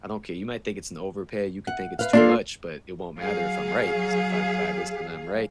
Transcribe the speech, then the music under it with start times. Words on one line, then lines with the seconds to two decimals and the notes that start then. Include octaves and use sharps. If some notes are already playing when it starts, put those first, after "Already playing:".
I don't care you might think it's an overpay, you could think it's too much, but it won't matter if I'm right." 'Cause if I buy this and I'm right
1.67 F#5
1.99 B4 F5
2.13 A#3 D4 F4 A4
3.19 F#3 G#4 F5